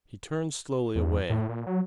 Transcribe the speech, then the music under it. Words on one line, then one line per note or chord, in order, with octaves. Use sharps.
He turned slowly away.
E2
A2
A#2
F#3